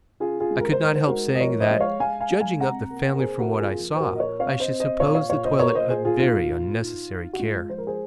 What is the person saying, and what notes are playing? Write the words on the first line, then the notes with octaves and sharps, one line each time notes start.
I could not help saying, "that, judging of the family from what I saw, I should suppose the toilette a very unnecessary care."
C#3 F4 G#4
F4 G#4
G#3
A#4
C5
D#4 A#4
C5
G#3 F#4 A#4
D#5
F3 A#4 C#5
C5 D#5
G#3
C#5 F5
G#3 F5 G#5
F5 G#5
G#3
F5 G#5
C3 F#5 A#5
A#3
A#4
C3 G#4 C5
F#4 A#4
A#3
F4 G#4
F3
C5
F#4 A#4
A#2
D#5
A#4 C#5
C4 C#5 F5
C5 D#5
C4
C5 D#5
A#2 C#5 F5
C#5 F5
A#2 C#5 F5
C5 D#5
A#2 A#4 C#5
C5 D#5
A#2 G#4 C5
F4 G#4
D#4 F4
A#2
D#4
D#4
F#4
G#3 F4
F3 C5
A#4
G#4 C5